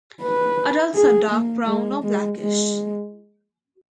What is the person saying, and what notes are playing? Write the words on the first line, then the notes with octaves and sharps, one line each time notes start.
Adults are dark brown or blackish.
B4
G#4
A#3
G#3
G#3
G#3